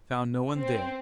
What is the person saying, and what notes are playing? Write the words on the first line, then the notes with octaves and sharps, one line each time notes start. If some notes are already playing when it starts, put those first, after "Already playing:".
I found no one there.
C4